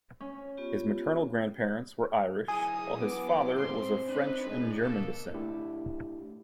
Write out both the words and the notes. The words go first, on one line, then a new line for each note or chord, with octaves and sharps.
His maternal grandparents were Irish, while his father was of French and German descent.
C#4
B3 F4 G4
F#3 D#4 E4 G#4 D#6
B3 D6
A2 G#3 C4 C6
D4 D#4 B4
G#3
B2 A#3 D4 A4
A3 D4 E4 G4